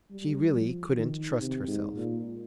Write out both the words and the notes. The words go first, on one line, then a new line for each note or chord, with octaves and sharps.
She really couldn't trust herself.
G3
F3
D#3
C3
G#2
A#2